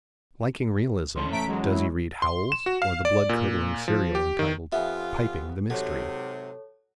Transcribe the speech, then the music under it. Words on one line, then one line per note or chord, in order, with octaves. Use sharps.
Liking realism, does he read Howells or the blood-curdling serial entitled "Piping the Mystery"?
E2 C#4 A4 C6
A3 A#5 B6 D7
F#3 G#3
E4
C6
E7
F#4
F5
D5
A#2
F3
G4
D#3
F2 B3 F4 G4 E5 G#5
G#2 C3 F#3 A4 C#5